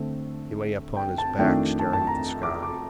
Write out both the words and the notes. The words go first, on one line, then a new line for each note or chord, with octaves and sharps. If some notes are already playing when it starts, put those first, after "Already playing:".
He lay upon his back staring at the sky.
Already playing: D3 A3 C4
G5
A5
F2 D#3 A3 D4 G5
A5
A5
A#5
D6
D6